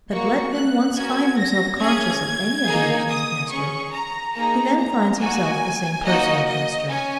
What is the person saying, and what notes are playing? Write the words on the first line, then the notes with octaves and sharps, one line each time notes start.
But let him once find himself conscious of any of the actions of Nestor, he then finds himself the same person with Nestor.
A#3 F#4 C#6
F#6
A#3 C#4 F#4 G#6
A#6
C#4 G#4 G#6
A#3 D#4 G#4
D#6
C#4 G#4 C#6
A#5
A#3 D#4 G#4 A#5
A#5
A#3 F#4 G#5
A#3 D#4 F#4 D#5
D#5
C#4 G#5